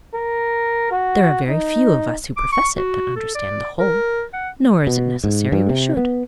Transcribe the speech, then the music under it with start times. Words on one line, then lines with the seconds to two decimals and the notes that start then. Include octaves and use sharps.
There are very few of us who profess it that understand the whole, nor is it necessary we should.
0.14 A#4
0.91 F#4
1.48 D#4
2.37 D6
2.52 C#6
2.77 F#4
3.16 A4
3.35 D5
3.79 A#4
4.33 F#5
4.87 B2
5.24 G#2
5.52 G2
5.69 C3
5.97 B3